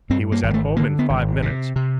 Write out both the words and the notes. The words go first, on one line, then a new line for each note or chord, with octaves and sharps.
He was at home in five minutes.
G2 C4
A#3
G#1
G#3
A3
D3 A#3
B3
G#1
C3
C3